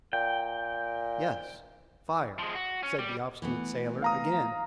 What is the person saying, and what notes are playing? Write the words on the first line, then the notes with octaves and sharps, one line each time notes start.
"Yes, fire!" said the obstinate sailor again.
A#2 G5
F3 G#3
F#4
C#4
G3
E3 A3 B3
F5 A#5 D#6